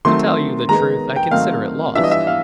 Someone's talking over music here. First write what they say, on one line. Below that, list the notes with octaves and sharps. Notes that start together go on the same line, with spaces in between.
"To tell you the truth, I consider it lost."
D#3 F#3 A3 C4 C6
D#3 G#3 B3 A#5
G5
D#3 F#3 A3 C4 D#4 F5
E3 G3 B3 D4 F4 E5
D#5
E5
F5